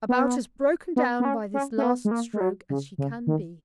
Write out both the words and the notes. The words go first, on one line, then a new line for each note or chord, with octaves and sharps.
'About as broken down by this last stroke as she can be.'
B3
B3
B3
C#4
C#4
C#4
B3
G#3
A#3
G#3
F#3
C#3
C#3
D#3